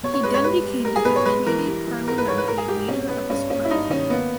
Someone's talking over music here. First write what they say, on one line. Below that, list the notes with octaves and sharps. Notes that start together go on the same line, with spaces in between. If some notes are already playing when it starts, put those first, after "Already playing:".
He then became the deputy parliamentary leader of his party.
B2 C#5
C#5
G#3 B4
C#5
G3 B4
G3
G3 A#4
G#4
B2 B4
C#5
G#3 B4
E3 A#4
G3
E3
G#2 A#4
B4
G#2 C#5
B4
G#2 A#4
G#4
G#2 G4
B2 C#4
B2 B3
G2 C#4
A#3 C#4
E4
G2 D#4
D#3 C#4
A#3 B3